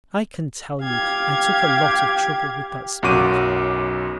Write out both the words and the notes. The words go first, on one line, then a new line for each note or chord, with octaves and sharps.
I can tell you I took a lot of trouble with that speech.
G4 F5 G#6
B1 F#2 F#4 D6 D#7